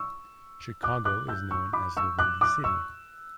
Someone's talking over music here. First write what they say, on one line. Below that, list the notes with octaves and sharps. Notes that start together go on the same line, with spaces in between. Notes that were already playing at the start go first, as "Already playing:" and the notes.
Chicago is known as the Windy City.
Already playing: C#6 E6
D6 F#6
D6 F#6
E6 G6
C#6 E6
B5 D6
C#6 E6
D6 F#6
D6 F#6
C#6 E6